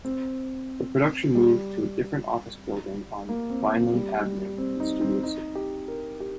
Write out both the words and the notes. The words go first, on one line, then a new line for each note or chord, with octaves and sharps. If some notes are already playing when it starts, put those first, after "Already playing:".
The production moved to a different office building on Vineland Avenue in Studio City.
C4
G3
A#3
C4
A#3
G3
G3
C4
D#4
C4
D#4
G4
A#4
G4